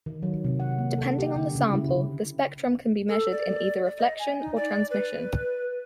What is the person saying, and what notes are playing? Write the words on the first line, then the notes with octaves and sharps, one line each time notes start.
Depending on the sample, the spectrum can be measured in either reflection or transmission.
D#3
F#3
C3
F#5
A#3
A4
G4
D3
C#3
E4
C#3
A4
D5
D#5
G#5
D#4
D5
B4